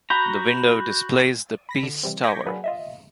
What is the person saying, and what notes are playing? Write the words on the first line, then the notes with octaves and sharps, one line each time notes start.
The window displays the Peace Tower.
F#4 A#5 B5 G6
B5 A#6 B6
D3
C3 E3 G3 C4
C#6 D6 G6 G#6 A#6 B6
F#3 A#3 D4 F#4 G#4 B4
F4 D#5 E5